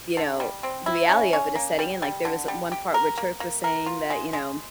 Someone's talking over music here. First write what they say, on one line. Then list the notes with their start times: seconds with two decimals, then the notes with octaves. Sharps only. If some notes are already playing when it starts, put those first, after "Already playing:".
you know the reality of it is setting in like, there was one part where Turk was saying that, you know
0.17 D3
0.40 G3
0.63 C4
0.86 E4
1.09 C#4
1.33 C#4
1.55 A#3
1.79 G3
2.02 G3
2.25 D3
2.48 G3
2.72 G4
2.94 A#4
3.18 A#3
3.40 A#3
3.64 A#4
3.86 F4
4.10 G#3
4.33 G#3